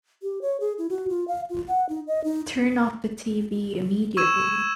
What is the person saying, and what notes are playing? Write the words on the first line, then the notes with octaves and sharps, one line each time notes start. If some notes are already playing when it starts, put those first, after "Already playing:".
Turn off the TV immediately!
G4
C#5
G#4
E4
F#4
F4
F5
F4
F#5
D#4
D#5
D#4
C#6 E6 G#6 D#7 E7